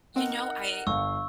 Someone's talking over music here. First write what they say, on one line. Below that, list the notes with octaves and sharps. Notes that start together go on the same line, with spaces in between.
You know, I
C4 D#4 A#4 F#5
G1 F5 C#6 E6